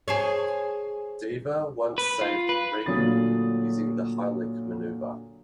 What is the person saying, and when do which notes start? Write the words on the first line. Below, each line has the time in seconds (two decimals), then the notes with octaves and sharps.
Deaver once saved Reagan using the Heimlich maneuver.
0.08 G#4 C5 C#5
1.98 B4
2.21 F4
2.49 B4
2.86 A#2 D3 F#3 A3 D#6 A6